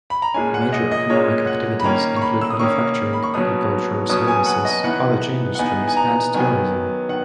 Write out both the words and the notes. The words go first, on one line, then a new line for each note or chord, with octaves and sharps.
Major economic activities include manufacturing, agriculture, services, cottage industries and tourism.
B5
A#5
A#2 G#3 C#4 G#5
F#5
D#5
D#5
A#2 G#3 C#4 C#5
F#5
B5
D#3 A#3 C#4 A#5
C#6
B5
E6
D#6
D#3 A#3 C#4 C#6
B5
C#6
B2 F#3 C#4 D#6
B2 F#3 C#4 D#6
G#5
F#5
D#5
E3 B3 D#4 F#5
F#5
E3 B3 D#4 G#5
G#5
A#5
D#3 F#3 B3 G#5
D#3 F#5